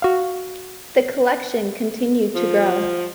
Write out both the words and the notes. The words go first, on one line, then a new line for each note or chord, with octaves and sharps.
The collection continued to grow.
F#4 F5
F3